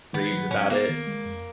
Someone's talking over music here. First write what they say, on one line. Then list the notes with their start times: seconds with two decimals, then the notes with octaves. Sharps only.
raves about it?
0.13 D#3 B3
0.32 F#3
0.51 G#2 C#4
0.70 A#3 B3
0.89 D#3
1.07 G#3
1.26 F2